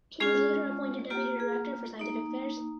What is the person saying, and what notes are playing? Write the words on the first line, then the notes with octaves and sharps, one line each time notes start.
He was later appointed deputy director for scientific affairs.
G#3 C#4 F4 G#4
A#3 F4 G4
G#4
A#3 D#4